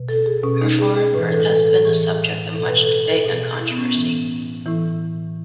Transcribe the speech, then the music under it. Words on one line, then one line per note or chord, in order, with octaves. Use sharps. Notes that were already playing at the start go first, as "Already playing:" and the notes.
Her foreign birth has been a subject of much debate and controversy.
Already playing: B2
A4
G#4
B2 C#4
D#4
G#4
G#4
A2 E3 B4
A4
A4
A4
A2 E3 G#4
B2 A4
B4
A4
B4
A4
B2 G#4
E4
B3
C#4
A2 E3
A2 E3 E4